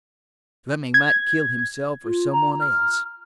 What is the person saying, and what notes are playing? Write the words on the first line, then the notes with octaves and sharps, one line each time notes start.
Fleming might kill himself or some one else.
G#6
F4
A#5
F6